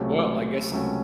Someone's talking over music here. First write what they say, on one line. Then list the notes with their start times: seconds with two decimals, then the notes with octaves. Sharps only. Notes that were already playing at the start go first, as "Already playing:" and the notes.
Well, I guess
Already playing: C#2 C3 F#3 A3 C#4
0.72 C#2 C3 F#3 A3 C#4